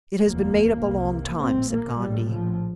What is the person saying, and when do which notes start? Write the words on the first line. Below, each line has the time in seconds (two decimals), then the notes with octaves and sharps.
"It has been made up a long time," said Gondy.
0.22 F1 D#2 A#3
0.81 C2 C3
1.41 A#1 A2 C4
1.70 A#3
2.00 A#1 A2 G3
2.30 F3